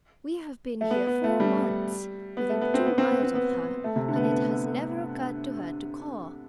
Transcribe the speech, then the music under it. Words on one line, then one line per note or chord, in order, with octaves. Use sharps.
We have been here four months, within two miles of her, and it has never occurred to her to call.
A3
B3
B3
A3
G3
B3
A3
B3
C4
B3
C4
B3
C4
B3
A3
C3
D3
B3
A3
B3